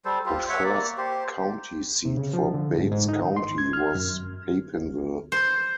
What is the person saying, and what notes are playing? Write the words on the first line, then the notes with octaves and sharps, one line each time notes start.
The first county seat for Bates County was Papinville.
G3 A4 C5
F4 G4 C5
C#5 E5 F#5
A#3 D5
G4 C5
C3
C#3
F3
D3
G#2
G#2
D#4
D#3
C6
G#6
F6
F#2
C5